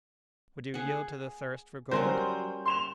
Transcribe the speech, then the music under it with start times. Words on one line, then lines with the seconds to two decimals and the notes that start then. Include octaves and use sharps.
Would you yield to the thirst for gold?
0.74 G#4 F#5
1.91 F#3 G3 C#4 A#4 C5
2.65 C6 E7 F7